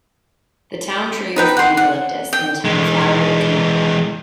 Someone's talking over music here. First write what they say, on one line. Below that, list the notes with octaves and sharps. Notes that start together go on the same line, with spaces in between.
The town tree was the eucalyptus, and the town flower the camellia.
D#4 B4 G5
F#5 C6
F#5
G5
E3 G#3